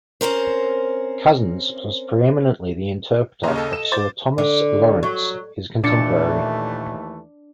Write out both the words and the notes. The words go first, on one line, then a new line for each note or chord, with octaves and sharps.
Cousins was preeminently the interpreter of Sir Thomas Lawrence, his contemporary.
C4 C#4 A#4 C5
D#2 C#3 A#5 C6
A4 D#5
E7
C5 D6 A6
D3
F#3
D#2 A#2 E3 A3 D4 A6 C#7